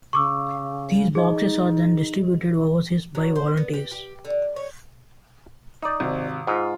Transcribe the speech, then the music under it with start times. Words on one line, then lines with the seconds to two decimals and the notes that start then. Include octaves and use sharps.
These boxes are then distributed overseas by volunteers.
0.13 C#3 C#6 D6 E6
1.15 D#4 G#4 D#5
3.15 F#3
3.36 C5
3.57 B3
3.74 G4
3.91 G4
4.25 D3
4.56 C#5
5.82 D#4 D5 D#6
6.00 G#1 C3
6.47 G#2 F4